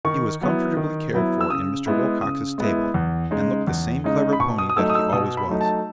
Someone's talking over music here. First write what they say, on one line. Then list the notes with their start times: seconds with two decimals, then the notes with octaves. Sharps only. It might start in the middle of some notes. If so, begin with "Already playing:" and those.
He was comfortably cared for in Mr. Wilcox's stable, and looked the same clever pony that he always was.
0.05 D#3 C#6
0.41 F#3 B3 E4
0.77 D#3
1.14 F#3 B3 E4
1.41 E6
1.50 C#3 D#6
1.86 G#3 B3 E4
2.22 C#3 D#6
2.58 G#3 B3 E4
2.94 E2
3.31 C#3 G#3 D#4
3.67 E2
4.04 C#3 G#3 D#4
4.33 B5
4.40 B2 C#6
4.58 D#6
4.69 D#6
4.76 F#3 A3 D#4 E6
4.90 D#6
4.95 E6
5.13 B2 D#6
5.37 B5
5.49 F#3 A3 D#4
5.61 A5